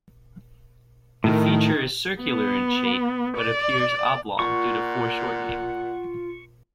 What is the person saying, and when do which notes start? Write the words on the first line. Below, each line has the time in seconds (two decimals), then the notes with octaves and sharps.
The feature is circular in shape, but appears oblong due to foreshortening.
1.24 A2 D#3
2.21 B3
3.37 D5
4.39 A#2 F4 F#5 C#6